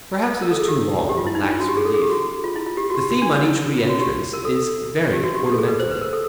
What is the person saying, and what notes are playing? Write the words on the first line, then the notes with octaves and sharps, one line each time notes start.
Perhaps it is too long and lacks relief. The theme on each re-entrance is varied ornamentally.
A#4
A4
G#4
G4
G4
F4
E4
D#4
D4
F4
F#4
G4
G#4
A4
G#4
G4
F#4
F4
E4
F4
G4
F#4
G4
F#4
D4
E4
F4
F#4
G4
A#4
A4
G4
F#4
G4
G4
A4
G#4
B4
C5
B4
A#4
A4